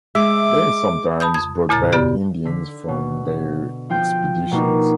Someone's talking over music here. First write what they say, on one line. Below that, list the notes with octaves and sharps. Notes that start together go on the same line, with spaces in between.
They sometimes brought back Indians from their expeditions.
G#3 E5 D6
A5 B5 D#6 G6
F2 D#6 G#6
E2 A#2 C#3 A#5 A6
F#2 C#3 B3 G4 D5
D3 B6
B2
F3 F4 G5 G6
B2 A#3 D4 D#4